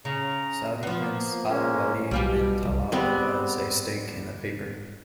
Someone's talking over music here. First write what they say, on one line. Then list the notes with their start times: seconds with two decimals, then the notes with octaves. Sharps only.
Saudi Prince Al-Waleed bin Talal has a stake in the paper.
0.05 C#3 A#5
0.83 F3 B3
0.99 A#3
1.48 G#3 A#3 C#4
2.11 B1 B2 G3 F4 G4
2.63 C2 A3
2.92 G3 G#3 B3 C4